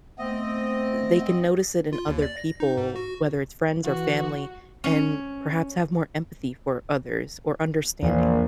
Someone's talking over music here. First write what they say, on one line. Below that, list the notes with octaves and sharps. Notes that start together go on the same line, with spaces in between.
They can notice it in other people, whether it's friends or family, and perhaps have more empathy for others or understanding.
A3 B3 C4 D#5
F4
D#2
D5
A#6
D#4
G#2
F#4
E3 F#4
C#4
A#1 E2 A#2